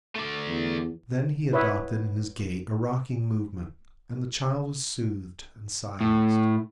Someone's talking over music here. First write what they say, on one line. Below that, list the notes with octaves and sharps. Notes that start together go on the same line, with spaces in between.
Then he adopted in his gait a rocking movement, and the child was soothed and silenced.
A3 D5
E2
E4 B4 C#5 E5 D#6
A2